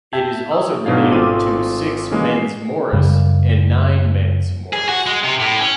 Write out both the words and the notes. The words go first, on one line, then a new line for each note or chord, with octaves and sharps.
It is also related to Six Men's Morris and Nine Men's Morris.
E5 G5 A5 G6 G#6
C#6 D#6 E6
G#2 B2 F#3 D4 F5
G#1 C4 F4 A4 D6 D#7
E3 G#3 A#3 C#4
C7
F#2 C#3 G3
G#4
F#4
G#3
C3
A2
C#4